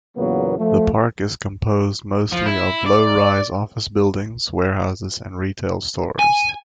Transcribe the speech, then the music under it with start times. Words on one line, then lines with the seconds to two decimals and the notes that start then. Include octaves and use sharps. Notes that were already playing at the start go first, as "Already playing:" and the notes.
The park is composed mostly of low-rise office buildings, warehouses and retail stores.
0.17 E2 A#2 C#3 F#3 A#3 B3
0.58 F3 A3
2.32 F3
2.46 E4
2.87 D5
6.19 G#5